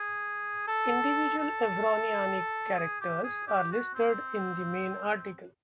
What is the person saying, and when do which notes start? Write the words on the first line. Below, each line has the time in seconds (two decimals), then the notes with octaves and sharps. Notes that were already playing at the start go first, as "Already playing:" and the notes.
Individual Evroniani characters are listed in the main article.
Already playing: G#4
0.67 A4
1.38 A4
2.77 G#4
3.01 G4
3.24 G#4
3.47 G4
3.71 F#4
3.94 C4